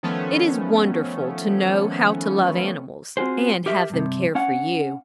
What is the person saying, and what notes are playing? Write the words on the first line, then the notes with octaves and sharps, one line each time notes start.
It is wonderful to know how to love animals, and have them care for you.
D#3 F3 A3 B3 C#4
C4 F4 F#4 G#4 C5
G4 A#4 E5
G2 C3
C#4 F5 F#5